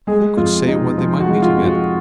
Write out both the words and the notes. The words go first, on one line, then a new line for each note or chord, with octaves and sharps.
Who could say when they might meet again?
G#3 G#4
F2 F4
C3 D#4
F3 F4
F#4
G#3
F4
F2
F#4